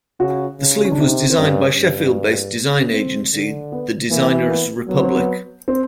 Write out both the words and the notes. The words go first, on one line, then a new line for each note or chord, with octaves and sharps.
The sleeve was designed by Sheffield-based design agency The Designers Republic.
C#3 F#4
C#3
C#4
D4
C3 D#4
C4
G2 C#4
G2
C4
D3
B3
E3 A#3
A#3
B3
F#3 B3
C4
B3
C4